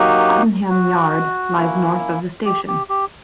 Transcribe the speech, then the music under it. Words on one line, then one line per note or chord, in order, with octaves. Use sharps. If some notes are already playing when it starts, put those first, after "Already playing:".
Tottenham Yard lies north of the station.
Already playing: F#3 A#3 D#4 F#4 G4
F#4
A#3 C#4 E4
G4
G4
G4